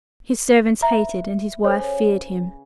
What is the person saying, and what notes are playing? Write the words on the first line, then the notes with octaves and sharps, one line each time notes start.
His servants hated, and his wife feared him.
B4 E5 A#5
C#3 A4 C5 C#5